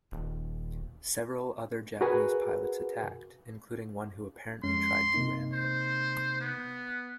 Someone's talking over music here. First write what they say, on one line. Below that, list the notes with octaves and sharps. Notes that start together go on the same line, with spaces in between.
Several other Japanese pilots attacked, including one who apparently tried to ram him.
D#1
F#4 G#4 A#4 B4 F#5 G#5
F2 G#3 C#4 C6
C3 A#3 D#4
C5
B3